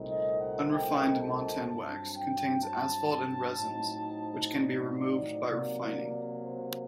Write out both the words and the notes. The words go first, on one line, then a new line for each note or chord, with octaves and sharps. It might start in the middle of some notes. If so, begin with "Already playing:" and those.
Unrefined montan wax contains asphalt and resins, which can be removed by refining.
Already playing: C2 A#2 A3 C4 D#4
D#5
F#5
G5
A5
G2 F#3 C4 A5
G5
A5
A2 F#3 C4 D#4
D5
C3 F#3 A#3
C5